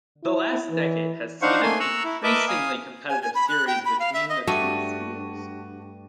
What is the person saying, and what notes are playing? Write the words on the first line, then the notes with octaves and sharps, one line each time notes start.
The last decade has seen an increasingly competitive series between the two schools.
E4
E3
D4 D#4 C5 F5 F#5 C#6
A3 A#3 G#5 C6
A#5 C#6 E6 F#6
E4
A#4 B4 D#5 E5 A5 D6
F5 G#5 D#6
G#5
G#5
B5
F#6
G5
B5
F5
E5
D#5
G2 A3 F#4 G5 C#6 D#7